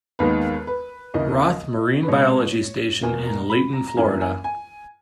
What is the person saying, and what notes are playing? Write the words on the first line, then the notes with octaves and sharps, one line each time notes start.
Roth Marine Biology Station in Layton, Florida.
D#2 D#3 G#3 B3 B4
B4
D#2 C#3 E3 A#3 D#5
B4
B2 G#3 B3 C#5
E2 B2 A#3 G#5
A#5
B5
A#5
A#5
F#2 E3 A#3 G#5
G#5
G#5